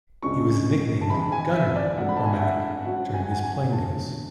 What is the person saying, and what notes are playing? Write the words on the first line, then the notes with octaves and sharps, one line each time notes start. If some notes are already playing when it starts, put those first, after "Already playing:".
He was nicknamed "Gunner" or "Mac" during his playing days.
C#2 C#3 G#3 D4 C#6
A5
G#1 G#2 E3 G#3 B5
G#5
E5
D5
G#2 F#3 A3 D4 F#5
B5
A5
G#5
F#5
E5
G#2 F#3 C#4 F#5
G#5
F#5
G#5
G#5
E1 E2 D3 A3 A5